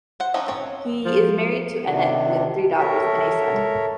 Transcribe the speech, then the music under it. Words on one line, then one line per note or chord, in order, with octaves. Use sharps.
He is married to Annette with three daughters and a son.
C5 F#5
F3 C4 C#4 D#4
C4 C#4 C#5
F3
C3 D#3 D4
A4 A#4 C#5 E5